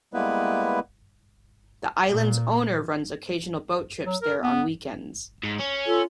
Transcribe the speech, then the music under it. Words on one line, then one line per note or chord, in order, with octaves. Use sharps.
The island's owner runs occasional boat trips there on weekends.
G3 G#3 A#3 B3 E4 B4
A#2
F#3
A#4
B3
G#2
C#4
F4 A4